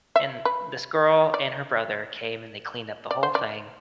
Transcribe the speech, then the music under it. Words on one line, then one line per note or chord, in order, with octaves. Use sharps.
And this girl and her brother came, they cleaned up the whole thing.
E5
B4
D5
D5
C5
D5